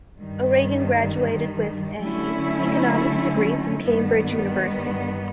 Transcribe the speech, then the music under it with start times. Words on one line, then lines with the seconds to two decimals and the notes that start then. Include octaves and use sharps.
O'Regan graduated with an economics degree from Cambridge University.
0.18 G2 D#3 G3
2.01 D3 F#3 A3 C#4 E4
3.84 G2 D#3 G3 B3